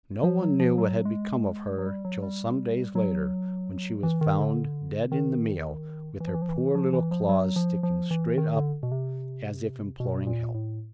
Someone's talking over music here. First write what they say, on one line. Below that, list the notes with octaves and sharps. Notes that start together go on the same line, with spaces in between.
No one knew what had become of her till some days later, when she was found dead in the meal, with her poor little claws sticking straight up as if imploring help.
F3
F#3
F3
F#3
G#3
F#3
G3
F#3
G3
F#3
E3
D#3
D3
D#3
E3
F3
E3
F3
E3
F3
E3
F3
F#3
F3
F3
E3
D#3
D3
B2
C3
B2
A#2
A2